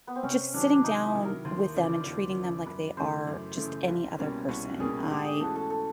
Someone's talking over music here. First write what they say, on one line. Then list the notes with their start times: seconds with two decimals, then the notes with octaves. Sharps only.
just sitting down with them and treating them like they are just any other person, I
0.07 B3
0.16 C4
0.23 C3 C#4
0.54 D#3 F#3 D4
0.72 D4
0.84 C3 D#4
1.05 E4
1.15 D#3 F#3
1.25 A#4
1.45 D#2 C5
1.75 C#3 F3 D5
2.06 D#2 D5
2.36 C#3 F3
2.66 F#2 B4
2.97 C#3 E3 A3 C5
3.27 F#2
3.57 C#3 E3 A3
3.88 C2
4.19 B2 G3 A#3 C#4
4.48 C2 C#5
4.79 B2 G3 A#3 C#4 G#4
5.10 G#2 G4
5.25 G#4
5.40 E3 A3 C#4 F#4 A4
5.56 A4
5.70 A4